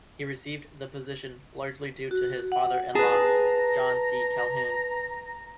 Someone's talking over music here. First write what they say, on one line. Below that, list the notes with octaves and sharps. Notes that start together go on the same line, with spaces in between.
He received the position largely due to his father in-law John C. Calhoun.
F#4
F#5
G#4 B4 A5 A#5